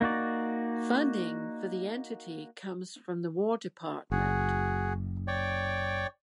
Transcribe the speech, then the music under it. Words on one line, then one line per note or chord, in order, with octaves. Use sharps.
Funding for the entity comes from the War Department.
A#3 D#4 F#4 D5
F#1 F#4 G#4
C#5 D5 G5